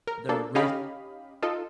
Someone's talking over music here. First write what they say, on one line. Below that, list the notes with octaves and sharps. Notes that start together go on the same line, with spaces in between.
the risk
A#4
A#3 D4 A4
C#4 D#4 G4 D#5 F5 B5
D#4 F4 A4